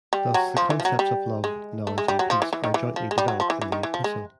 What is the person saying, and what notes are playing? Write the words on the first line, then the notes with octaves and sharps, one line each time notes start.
Thus the concepts of love, knowledge and peace are jointly developed in the Epistle.
G3
F#3
F3
E3
F3
F#3
G3
G#3
A3
G#3
G3
F#3
F3
E3
E3
D#3
E3
F3
G#3
G3
F#3
F3
E3
E3
D#3
E3
F3
G#3